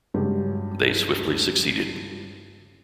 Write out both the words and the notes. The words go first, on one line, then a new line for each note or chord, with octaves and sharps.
They swiftly succeeded.
G2 C#3 F#3 G#3 C#4 G4